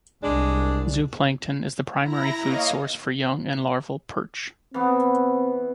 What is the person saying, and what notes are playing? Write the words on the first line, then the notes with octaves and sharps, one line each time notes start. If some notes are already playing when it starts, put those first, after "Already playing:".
Zooplankton is the primary food source for young and larval perch.
C2 G#3 D4
E4 A#5 A#6
A#3 C#5 D#5 F5
E3 B3 C4